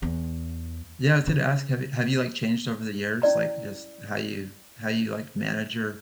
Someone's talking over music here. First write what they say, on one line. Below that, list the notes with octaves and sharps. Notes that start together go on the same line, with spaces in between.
Yeah, I was gonna ask, have you have you, like, changed over the years, like, just how you how you, like, manage your
E2
C#3
C#4 E4 D5 A#5